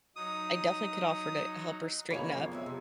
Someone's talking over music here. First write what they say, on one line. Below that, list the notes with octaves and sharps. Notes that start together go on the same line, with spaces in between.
I definitely could offer to help her straighten up.
F#3 D#4 D#6
C#3 A#3 G#4 C#5 B5
F2 B2 F3 A#3
G#3 C#5 E5
C3